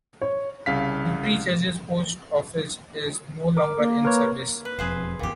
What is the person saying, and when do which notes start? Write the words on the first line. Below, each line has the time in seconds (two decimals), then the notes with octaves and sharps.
The Three Churches Post Office is no longer in service.
0.21 C#5
0.66 C2 C#3 F5 B6
3.57 A#4 D6
3.78 A#3
4.05 A#4 B4 C#5
4.65 B4
4.79 E1 F2 G#4 B4 C5
5.19 D1 G1 E2 A#2 G4